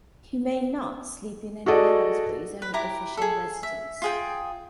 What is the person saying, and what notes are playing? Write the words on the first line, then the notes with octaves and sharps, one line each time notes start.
He may not sleep in any house but his own official residence.
F#4 G#4 A4 D5 D#5
B4
E4 G4 A#5 D6
G#4 A4
E5
F4 G#4 G5